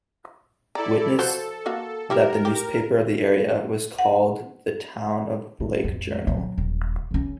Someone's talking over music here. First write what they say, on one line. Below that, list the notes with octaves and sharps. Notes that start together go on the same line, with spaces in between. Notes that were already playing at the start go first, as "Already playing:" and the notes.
Witness that the newspaper of the area was called the "Town of Lake Journal".
E4 A4 D5 A#5
F3 F#4 A4 C5
A#3 F#4 F5
G3 E4 G4 A#4
G4
F#5
D3
A1 F2
A#2 F#3
D#1
C#3 C#4